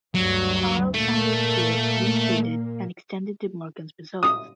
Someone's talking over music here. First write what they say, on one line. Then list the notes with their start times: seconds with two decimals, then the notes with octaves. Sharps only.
Charles Sanders Peirce restated and extended De Morgan's results.
0.15 D2 G2 F#3
0.94 A#2 A3 A#3
4.23 D#6